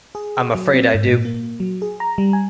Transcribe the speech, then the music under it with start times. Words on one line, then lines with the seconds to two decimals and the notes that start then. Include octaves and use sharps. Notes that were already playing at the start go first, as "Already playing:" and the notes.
I'm afraid I do.
0.15 G#4
0.55 F#3
0.74 C4
0.95 G#2
1.09 A#2
1.25 A#3
1.60 F#3
1.82 G#4
2.00 A#5
2.18 G3
2.33 G#5